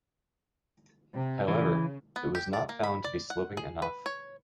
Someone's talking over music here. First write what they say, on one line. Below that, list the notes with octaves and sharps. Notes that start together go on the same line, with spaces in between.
However, it was not found to be sloping enough.
C3
C#3 E3
B3
G4
D5
A#3
B5
D5
F#5
G#4
B4
C#5